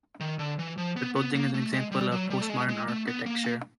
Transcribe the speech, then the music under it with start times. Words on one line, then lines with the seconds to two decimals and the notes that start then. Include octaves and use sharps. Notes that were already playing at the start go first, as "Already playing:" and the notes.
The building is an example of Postmodern architecture.
0.20 D#3
0.39 D3
0.59 E3
0.77 F3
0.96 B3
1.16 B3
1.35 A#3
1.54 A3
1.73 G#3
1.92 G3
2.11 F#3
2.30 G3
2.41 A3
2.49 G#3
2.69 G#3
2.88 A3
3.07 B3
3.26 A#3